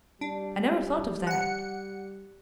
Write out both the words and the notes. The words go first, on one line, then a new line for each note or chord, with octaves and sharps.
"I never thought of that."
G3 D4
F#5 C#7